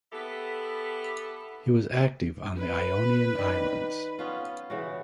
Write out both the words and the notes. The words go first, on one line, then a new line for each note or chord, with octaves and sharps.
He was active on the Ionian islands.
B3 E4 G4 A4
B4
D#3 D5
B3 C#4 F4
C#3 E3 F#4